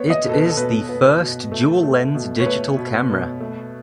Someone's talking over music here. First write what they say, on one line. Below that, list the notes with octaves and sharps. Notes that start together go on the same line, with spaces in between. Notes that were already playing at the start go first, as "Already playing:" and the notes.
It is the first dual lens digital camera.
Already playing: B3 C#5
D#5
B2 A4
B4
A4
B2 B4
B3
B2
A3
A3
B2
C#5
A3 B4
B2
B2
A3